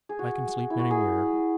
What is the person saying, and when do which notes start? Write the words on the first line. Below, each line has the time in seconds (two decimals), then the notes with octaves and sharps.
'I can sleep anywhere.
0.09 G#4
0.19 F#4
0.70 E4
0.79 F#4
0.91 G#4